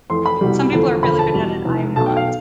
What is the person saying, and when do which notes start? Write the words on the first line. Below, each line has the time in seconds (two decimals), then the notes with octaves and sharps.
some people are really good at it, I'm not,
0.10 F2 E3 A3 C6
0.26 B5
0.41 C2 B2 G3
0.72 E2 D3 F3 A3
1.03 E1 D2 D3 F3 A3 B5
1.19 A5
1.34 E2 B2 G3
1.65 F1 F2 E3
1.96 B1 B2 A3 A5
2.06 G5
2.17 F5